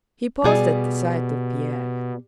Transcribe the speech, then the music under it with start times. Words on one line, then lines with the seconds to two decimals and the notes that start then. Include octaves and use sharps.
He paused at the sight of Pierre.
0.44 B2 G3 G#4 D5